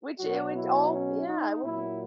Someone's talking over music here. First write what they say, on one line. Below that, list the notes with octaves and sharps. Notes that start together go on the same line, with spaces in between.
Which it would all yeah. It would be
B2 F#3 F#4
E4
C#4
D#4
A#2 F#3 E4